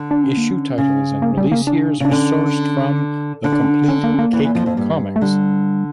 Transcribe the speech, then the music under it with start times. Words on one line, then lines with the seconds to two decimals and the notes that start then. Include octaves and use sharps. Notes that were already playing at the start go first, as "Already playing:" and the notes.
Issue titles and release years are sourced from "The Complete Kake Comics".
Already playing: D3
0.11 D4
0.23 C#4
0.37 A#3
0.50 C#4
0.78 C#3
1.22 A#3
1.37 G3
1.52 A#3
1.67 D4
2.00 C#3 D4
2.11 D3 C#4
3.44 D3
3.53 D4
3.61 C#4
3.70 D4
3.88 C#4
4.04 A#3
4.14 C#4
4.19 A#3
4.33 E2 E3
4.44 E2 E3
4.55 F2 F3
4.66 F2 F3
4.77 G2 G3
5.16 A3
5.21 D3 G3